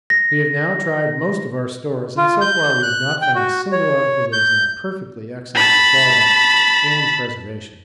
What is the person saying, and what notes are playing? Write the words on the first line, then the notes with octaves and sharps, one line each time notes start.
'We have now tried most of our stores, and so far we have not found a single article that is not perfectly excellent in quality and preservation.
A#6
F4
G6
F#6
G5
F#4
C#5
G6
A5 B5